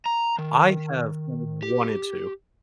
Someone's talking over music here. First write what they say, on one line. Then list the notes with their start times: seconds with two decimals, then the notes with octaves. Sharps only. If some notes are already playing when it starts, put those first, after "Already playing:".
I have wanted to.
0.06 A#5
0.38 D#3
1.63 G4